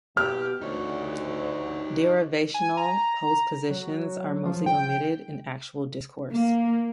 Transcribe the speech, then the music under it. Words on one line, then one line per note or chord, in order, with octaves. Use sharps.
Derivational postpositions are mostly omitted in actual discourse.
B2 G4 F6
D2 D#4 C#5
G#5
A#5
F#3
F3
G5
A#3